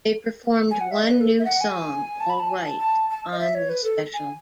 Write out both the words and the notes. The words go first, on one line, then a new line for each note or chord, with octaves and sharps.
They performed one new song, "Alright," on this special.
G#5
F#5
E5
D#5
B4
A4
E5
F#5
G#5
A5
B5
A5
G#5
A5
A5
A5
D#5
E5
C#5
B4
A4
G#5